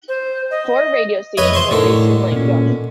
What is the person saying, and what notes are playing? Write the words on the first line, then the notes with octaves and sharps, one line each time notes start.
Four radio stations are based in Langdon.
C5
D#5
F2 B4 C#5 D#5 E5
C5 C6 C#6
A2 D3 D#3 C#5
A#2 C#4